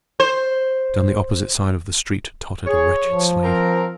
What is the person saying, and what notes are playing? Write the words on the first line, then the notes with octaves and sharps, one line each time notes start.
Down the opposite side of the street tottered a wretched slave.
C5
G#4 C#5
F3
C4 A#4